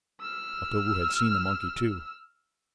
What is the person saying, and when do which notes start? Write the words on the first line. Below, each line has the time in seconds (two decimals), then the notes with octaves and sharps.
Otobu had seen the monkey too.
0.20 E6 F6